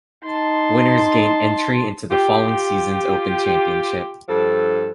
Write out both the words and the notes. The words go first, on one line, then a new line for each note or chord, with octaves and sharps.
Winners gain entry into the following season's Open Championship.
D#4 A5 C6
F4 G4
G2 F3 A4